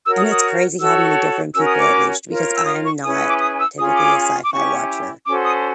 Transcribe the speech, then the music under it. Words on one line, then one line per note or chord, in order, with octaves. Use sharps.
I know it's crazy how many different people it reached because I am not typically a sci-fi watcher,
F#4 A#4 C#5 E6
D#6
D#6
F#4 A4 C#5 E6
C#4 F#4 A#4 C#5 E6
D#6
D6
F4 A#4 C#5
E6
D#6
C#6
C#4 E4 G#4 B4 D#6
D6
D#6
E6
C#4 F4 G#4 D#6
D6
D6
C#4 E4 G4 C#6
C#4 F#4 A4 C5 D6
D#6